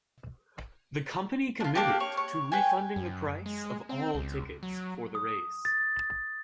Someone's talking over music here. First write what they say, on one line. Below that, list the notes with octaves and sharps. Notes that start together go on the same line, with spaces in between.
The company committed to refunding the price of all tickets for the race.
D4 F4
A#3 D4 G4
C#5
C#5
B4 G5 G#5
F#2
G#3
C4
C#2
F#3
D#6
A6